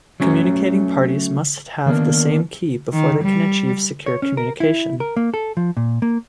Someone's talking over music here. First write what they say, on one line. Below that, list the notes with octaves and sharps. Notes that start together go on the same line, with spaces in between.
Communicating parties must have the same key before they can achieve secure communication.
F#3 A3 C#4 F#4 A#5
D#3 A#3 B3 D4 A#4
D#3
G3
C#5
C#4
A#4
E4
A#4
A#3
A4
F3
A#2
A#3